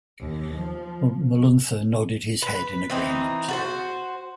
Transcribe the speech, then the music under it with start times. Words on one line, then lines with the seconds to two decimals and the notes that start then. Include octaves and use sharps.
Moluntha nodded his head in agreement.
0.20 D#2
0.56 F3
2.42 B4
2.90 E3 C4 D#4
3.49 F#4 A4 C5